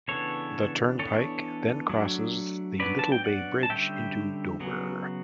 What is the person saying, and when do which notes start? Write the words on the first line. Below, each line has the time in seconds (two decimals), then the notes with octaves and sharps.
The Turnpike then crosses the Little Bay Bridge into Dover.
0.08 C#3 E3 B3 D4 A4 C#5
0.99 E3 B3 D4 A4 C#5
1.89 F#3 A3 D4
2.79 F#3 B3 D4 B4 D5
2.99 A5
3.12 G5
3.24 D5 F#5
3.63 A5
3.70 D3 G3 C#4 E5 G5
4.60 C#3 F#3 B3